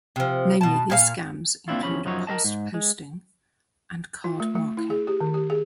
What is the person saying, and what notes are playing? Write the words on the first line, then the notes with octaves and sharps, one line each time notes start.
Namely, these scams include pastposting and card marking.
C3 F3
B2 A5
A#2 F4 F5
A#3 C4 D4 E4 F4
E2 F3 C#4 B5
F#2 F3 F#3 D#4 C#5
A#4 B4 D#5 A5
G#2
G#3
F4
A3
A3
E4
G#4
G4
D#3
G4
G#4